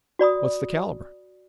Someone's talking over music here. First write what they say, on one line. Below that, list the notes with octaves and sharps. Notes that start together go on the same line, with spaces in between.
"What's the calibre?"
F#4 D5 B5 D#6